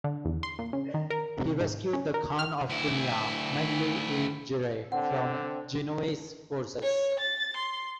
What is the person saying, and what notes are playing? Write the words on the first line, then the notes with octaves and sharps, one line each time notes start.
He rescued the Khan of Crimea, Meñli I Giray, from Genoese forces.
D3
E2
C6
A#2
C#3
D#3
A#4
C3
G#2
C#4
A#4
F6
D2 E4
D3 C4 F#5
C#5
A6
C6